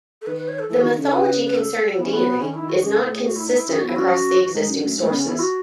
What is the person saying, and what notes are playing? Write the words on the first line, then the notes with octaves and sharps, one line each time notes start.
The mythology concerning Dione is not consistent across the existing sources.
A4
D#3 B4
B4
C#5
A4
E3 A4
D#3 F#4
C#3 A4
B4
B4
A4
E3 B3
C#4
B3
F#3
D#3 C#4
E4
D#3
F#4
C#3 G#4
A4
A2
G#4
F#4
E4
D#4
E4
F#2 G#4
F#4
E2 E4
F#2 F#4
G#2 D#4
F#2
F#2 A3
G#2 A3
C#3 B3
C#4
E2 E4
F#4